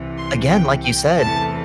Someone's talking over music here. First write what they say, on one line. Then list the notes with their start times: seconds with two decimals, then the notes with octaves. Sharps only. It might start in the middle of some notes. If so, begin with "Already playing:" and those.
again, like you said,
Already playing: C2 C3 E3
0.18 C6
0.51 G5
0.84 G5
1.18 E2 C3 E3 A3 A5